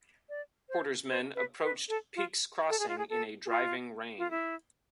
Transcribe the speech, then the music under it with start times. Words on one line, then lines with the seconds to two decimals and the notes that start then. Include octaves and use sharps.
Porter's men approached Peake's Crossing in a driving rain.
0.29 D5
0.69 C5
1.09 C5
1.35 B4
1.63 B4
1.89 A4
2.16 F4
2.69 A4
2.79 G#4
2.88 F4
2.98 G#4
3.10 A4
3.46 G#4
3.49 F4
4.18 F4
4.30 E4